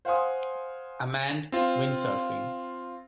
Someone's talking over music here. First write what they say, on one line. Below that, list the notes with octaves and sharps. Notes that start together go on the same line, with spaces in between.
A man windsurfing.
C5 F5 F#5 G#5 C6 D#6
C4 F4